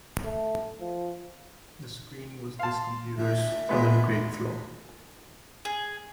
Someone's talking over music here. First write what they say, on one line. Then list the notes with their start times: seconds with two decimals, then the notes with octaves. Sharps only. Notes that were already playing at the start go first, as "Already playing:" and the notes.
The screen was this computer's other great flaw.
0.25 A3
0.81 F3
2.59 F5 A5 C6
3.18 E5
3.69 A#2 G#3 B3
5.65 G#4